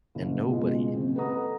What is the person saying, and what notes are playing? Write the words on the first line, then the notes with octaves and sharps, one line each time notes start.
And nobody
F#1
C#2 B2 G#3
F#1 C4
A4 B4 D#5 F#5 A#5 D#6